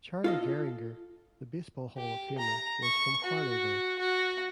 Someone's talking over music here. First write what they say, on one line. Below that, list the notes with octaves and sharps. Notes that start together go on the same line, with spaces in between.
Charlie Gehringer, the baseball Hall of Famer, was from Fowlerville.
F4 A4 D#5
G4
A#5
C#6
F#4
F#4